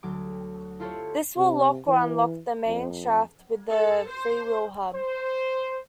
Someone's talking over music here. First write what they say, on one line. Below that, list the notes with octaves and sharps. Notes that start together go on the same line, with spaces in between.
This will lock or unlock the main shaft with the freewheel hub.
D2 F#3 D6
E4 F4 G4 A4 C5 C#5
C3
E3
F2
A4
C5
C5